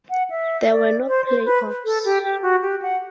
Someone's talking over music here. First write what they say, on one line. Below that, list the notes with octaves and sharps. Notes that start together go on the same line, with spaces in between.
There were no playoffs.
F#5
E5
D5
C5
C5
B4
A4
G4
G4
F#4
G4
F#5